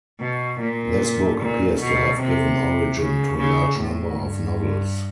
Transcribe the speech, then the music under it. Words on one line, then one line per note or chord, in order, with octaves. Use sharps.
This book appears to have given origin to a large number of novels.
B2
A#2
A#2
B2
C3
C#3
C#3
A2
G2